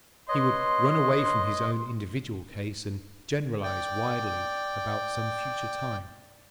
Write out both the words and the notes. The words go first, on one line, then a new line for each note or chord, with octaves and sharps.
He would run away from his own individual case, and generalise widely about some future time.
B4 C#5 D#5 C6
D5 G5